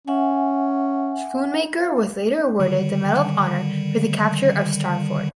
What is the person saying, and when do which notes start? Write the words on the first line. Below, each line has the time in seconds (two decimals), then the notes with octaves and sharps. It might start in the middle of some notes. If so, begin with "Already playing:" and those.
Schoonmaker was later awarded the Medal of Honor for the capture of Star Fort.
0.08 C#4 E5 F#5 G#5
2.60 D3 D#3 G3